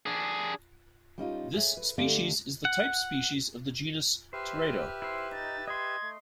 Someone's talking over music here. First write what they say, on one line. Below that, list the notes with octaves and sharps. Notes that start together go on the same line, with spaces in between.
This species is the type species of the genus "Teredo".
D4 G#4
G3 C#4 D#4 F4
G#4 C#5 E5
B4
D3 A3 G4 D5 F5
F#5
G4 B4 C5 E5 F6
E4 C5
D#4 A6
D#5 C6 G#6
A3